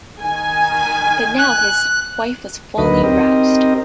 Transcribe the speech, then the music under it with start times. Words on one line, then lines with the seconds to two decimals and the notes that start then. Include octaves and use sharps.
But now his wife was fully roused.
0.20 D#3 G#5
1.39 F#6
2.78 D2 F#3 D#4 B4 D#5
3.03 C4 D#4 G4 A#4 D#5